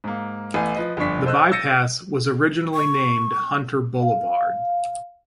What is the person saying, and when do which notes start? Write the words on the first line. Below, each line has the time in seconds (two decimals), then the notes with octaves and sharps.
The bypass was originally named Hunter Boulevard.
0.04 G#2 A#3
0.54 A1 A3 B3 F5 G#5
0.75 F3 B4 D#5
0.97 G1 F2 D4 C#6 B6
1.25 A4 C5 D#5 E6 F#6
1.52 E6 G6 A6 A#6 C#7 D#7
2.74 C#6
4.02 F5